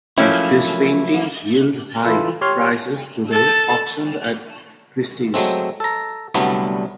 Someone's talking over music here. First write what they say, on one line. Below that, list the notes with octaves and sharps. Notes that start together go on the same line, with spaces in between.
These paintings yield high prices today, auctioned at Christie's.
F3 F#3 A3 A#3 C#4 E4
E3 E4 F4 A4
G4 C#5 C6 F6
A4 A5
F#3 G#3 A3 C4
A4 A#5
C2 D3 F#3 G3 A3 B3